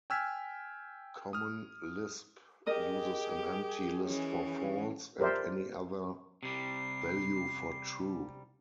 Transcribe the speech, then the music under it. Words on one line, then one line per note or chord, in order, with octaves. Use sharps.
Common Lisp uses an empty list for false, and any other value for true.
G5 G#5 E6 F6 G#6 B6
D#6 F6
G4 G#4 A#4 D#5 D#6
E3 C#4
G4 A#4 C5 D5 E5
C3 G3 C7